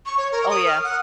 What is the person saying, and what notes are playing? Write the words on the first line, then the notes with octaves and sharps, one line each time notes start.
Oh, yeah.
C#6
C#5
A#4
D#6
F6
F#5